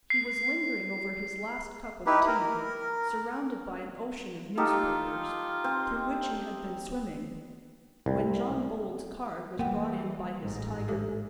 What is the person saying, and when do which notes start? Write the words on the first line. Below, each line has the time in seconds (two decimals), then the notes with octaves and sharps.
He was lingering over his last cup of tea, surrounded by an ocean of newspapers, through which he had been swimming, when John Bold's card was brought in by his tiger.
0.10 C7
2.06 D#4 E4 G4 B4
2.27 A#4
4.57 D#4 F4 G4 A4
5.64 C4
8.06 C2
9.59 E3 G3 A#3 A#4 F#5 G5
10.40 A1 G#2
10.89 G#3 G4 A4